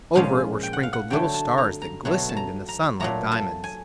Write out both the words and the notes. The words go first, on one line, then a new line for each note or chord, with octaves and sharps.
Over it were sprinkled little stars that glistened in the sun like diamonds.
A#2 F3 G#3 C#4 F5
G5
F#5
F5
F#5
D3 F#3 A3 G5
A5
A#5
A#5
B2 F#3 A3
A5
A#5
A#5
A#2 F#3 A3 A#5
A5
G#5